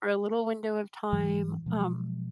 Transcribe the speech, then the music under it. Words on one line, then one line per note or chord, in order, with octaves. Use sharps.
for a little window of time, um,
G#2 E3 F#3 G#3
B2 F3 F#3 G#3